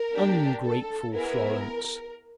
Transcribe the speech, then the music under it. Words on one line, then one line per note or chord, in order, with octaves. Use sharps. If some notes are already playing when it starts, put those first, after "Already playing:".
Ungrateful Florence!
Already playing: A#4
A#3 D4 G4
A4
B3 E4 G#4 A#4